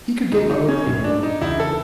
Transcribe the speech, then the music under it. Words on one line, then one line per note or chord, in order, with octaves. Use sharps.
He could get on with anyone.
F#2 D3 F#3 D#4
D#4
C#4
F#2 D#3 F#3
D4
D#4
E2 C#3 E3 E4
A4